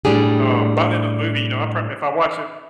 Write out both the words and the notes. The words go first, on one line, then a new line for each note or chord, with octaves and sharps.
um, by the end of the movie, you know, I pr if I watch it
A2 G3 D4 G4 G#4